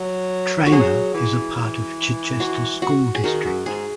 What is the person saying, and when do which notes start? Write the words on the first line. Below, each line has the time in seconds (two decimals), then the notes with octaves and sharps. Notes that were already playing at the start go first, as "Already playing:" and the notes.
Trainer is a part of Chichester School District.
Already playing: F#3
0.66 F#4
0.72 F#3 G#4
1.14 E3
1.56 E3
2.40 F#4
2.82 F#4
3.15 G#4
3.24 D#3 F#4
3.44 F#2
3.65 G#2 G#4